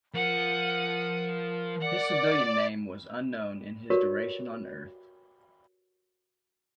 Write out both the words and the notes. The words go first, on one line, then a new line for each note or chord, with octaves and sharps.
His civilian name was unknown in his duration on Earth.
F3 A#4 F#5 D#7
D5 F#5
F#4 G4 A#4 B4 C#5 D5